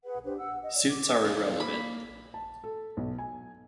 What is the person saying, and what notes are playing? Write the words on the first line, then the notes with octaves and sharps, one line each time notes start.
Suits are irrelevant.
G#4 B4 F#5
D4 G4 B4 C5
F#5 E6
D#5
C#5 D5
D6
E2 F5 G#5
A#3 B5
A5
A4
B1
G#5